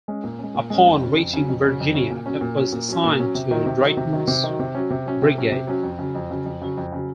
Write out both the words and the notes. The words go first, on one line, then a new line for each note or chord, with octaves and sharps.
Upon reaching Virginia, it was assigned to Drayton's Brigade.
G#3 C#4
A#2
G#3 C#4
A#2
G#3 C#4
F2
C#3 F#3 C#4
F2
C#3 F#3 C#4
F2
C#3 F#3 C#4
F2
C#3 F#3 C#4
A#2
F#3 C#4
A#2
F#3 C#4
A#2
F#3 C#4
A#2
F#3 C#4
C3
D#3 F#3
C3
D#3 F#3
C3
D#3 F#3
C3
D#3 F#3
C3
F#3 C#4
C3
F#3 C#4
C3
F#3 C#4
C3
F#3 C#4
F2
C#3 F#3
F2
C#3 F#3
F2
C#3 F#3
F2
C#3 F#3